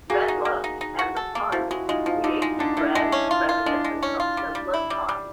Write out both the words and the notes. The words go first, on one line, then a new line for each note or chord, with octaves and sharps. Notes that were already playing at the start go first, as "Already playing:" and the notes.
Redler and the Simons created a brand reminiscent of simpler times.
A#3 F#4 G#4
D#4
A#3
D#4
D#4
F#4
A4
A#3
F3 E4 F#4
G#3 E4 F#4
G#3 D#4 F4
F3 D#4 F4
D3 D#4 F4
G#3
D3 D4
D3 D4 E4
G#3 D4 E4
C#4
F4
F4
G#3 D4
G#3
C#4
F4
G3
G3
E4
G3
G3